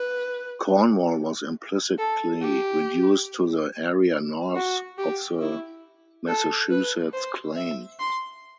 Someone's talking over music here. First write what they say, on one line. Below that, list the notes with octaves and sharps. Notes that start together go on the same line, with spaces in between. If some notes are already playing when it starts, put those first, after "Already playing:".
Cornwall was implicitly reduced to the area north of the Massachusetts claim.
Already playing: B4
A4
G4
F#4
G4
E4
A4
B4
C5
E5
C6